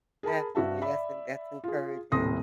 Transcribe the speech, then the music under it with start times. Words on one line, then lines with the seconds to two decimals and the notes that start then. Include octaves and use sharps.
Definitely. That's en that's encouraging.
0.23 G#4 A#4 A5 B5
0.55 G2 F#4 E5 A5
0.82 D5 E5 B5
1.64 F4 G#4
2.12 D#1 A2 C3 C6 D#6 A#6